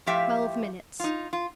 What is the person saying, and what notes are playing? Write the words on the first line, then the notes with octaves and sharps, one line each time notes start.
Twelve minutes.
A2 F3 G4 E5 F5 G5
D#4 F4
F4